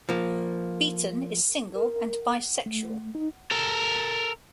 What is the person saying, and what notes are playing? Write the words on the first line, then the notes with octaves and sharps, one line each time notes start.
Beaton is single and bisexual.
F3 A#3
A#4
A3
D#4
A4 A#4